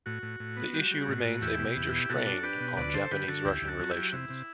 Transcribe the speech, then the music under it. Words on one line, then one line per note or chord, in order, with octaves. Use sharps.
The issue remains a major strain on Japanese-Russian relations.
A2 F#4
A2
A2
B3
G3
G3
A2
A2
E2 E4 G4
B2
E2
B2
B2 F#4 A4
D4
D4 G4 B4
B2
D2 B4 D5
D3 A4 C5
D3 G4 B4
D3 F#4 A4
D2 E4 G4
D2
F#4 A4
F#3
E4 G4
F#3
C3 E4
C3